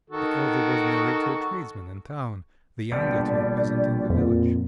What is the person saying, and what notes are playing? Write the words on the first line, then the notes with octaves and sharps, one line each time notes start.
The elder was married to a tradesman in town, the younger to a peasant in the village.
D#3 F#4 A4
A#1 B2 D3 G3 D5
F2 A#2